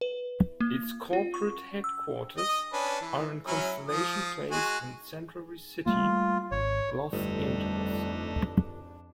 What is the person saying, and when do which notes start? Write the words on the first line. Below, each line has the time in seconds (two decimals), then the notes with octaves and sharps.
Its corporate headquarters are in Constellation Place in Century City, Los Angeles.
0.01 B4
0.60 A#3
1.13 F4
1.34 C#6
1.84 E6
2.37 D#5 D#6
2.73 C#4 D4 B4
3.01 E3
3.47 F#3 C#4 E4
3.88 F3 D#6
4.51 G#3 F#4 G#5
5.86 G3 A3 A#3 F4
6.52 G#1 C#5
7.13 G1 F2 G3 A3 D4 D#4